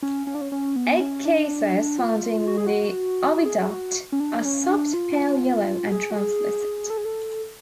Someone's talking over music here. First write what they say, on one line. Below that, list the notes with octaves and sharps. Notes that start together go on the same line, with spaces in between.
Egg cases found in the oviduct are soft, pale yellow and translucent.
C#4
C#4
D4
C#4
C#4
B3
C#4
D4
F4
F#4
G#4
F#4
G#4
F#4
C#4
D4
C#4
D4
F4
F#4
G#4
F#4
G#4
A4
G#4
A4